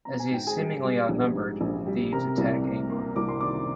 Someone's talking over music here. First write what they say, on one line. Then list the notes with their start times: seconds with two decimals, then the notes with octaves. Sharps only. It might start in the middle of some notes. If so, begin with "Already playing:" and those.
As he is seemingly outnumbered, the thieves attack Ammon.
0.05 C4 A#5
0.19 G#5
0.31 G#2 G5
0.47 G#4 G#5
0.58 G3
0.83 G3
1.09 A#1
1.35 G#2
1.61 A#1
1.87 G3
2.12 C3 A#4 A#5
2.38 C2
2.64 C3
2.90 A#3
3.16 C2 D6
3.29 C6
3.40 D#3 D5 D6